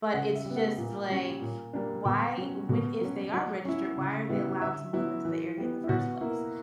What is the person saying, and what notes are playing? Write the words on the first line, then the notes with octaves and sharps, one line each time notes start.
but it's just, like, why when if they are registered, why are they allowed to move into the area in the first place?
C#3 F#5
E5
G3 B3
F#5
A#2
G3 C#4
A#2
G3 A#3 D4
B2 G5
F#3 C#4
B2
F#3 C#4
F#3 F#5
C#4 E4
C#3
G3 B3 E4
D3 E5
F#3 B3 E4
E3
G3 B3
E4
B2 F#4
A#3 E4